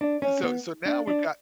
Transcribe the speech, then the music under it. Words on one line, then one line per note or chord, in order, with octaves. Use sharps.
so so now we've got
D4
C#4
B3
D4
D4